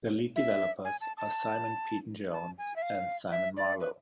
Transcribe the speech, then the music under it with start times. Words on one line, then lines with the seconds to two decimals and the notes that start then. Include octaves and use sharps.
The lead developers are Simon Peyton Jones and Simon Marlow.
0.36 E5
0.85 G#5
1.01 A5
1.17 A5
2.33 A5
2.58 G#5
2.76 E5
2.82 F5
3.31 E5
3.57 D5
3.80 B4